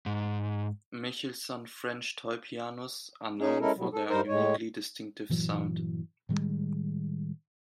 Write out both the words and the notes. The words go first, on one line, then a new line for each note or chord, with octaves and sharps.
Michelsonne French toy-pianos are known for their uniquely distinctive sound.
G#2
C#4 D#4 G#4
G#3 C#4 E4 A4 A#4
B2 F#3 G3
A4
G2 G3 D#4 A#4 C5
A2 G#3 C#5
G2 A#2 E3 F#3
A2 D#3 G3 G#3